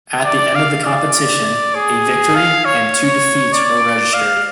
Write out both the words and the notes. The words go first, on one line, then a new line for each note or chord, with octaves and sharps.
At the end of the competition, a victory and two defeats were registered.
D5
F5
D5
G#4
F5
C#5
D5
F5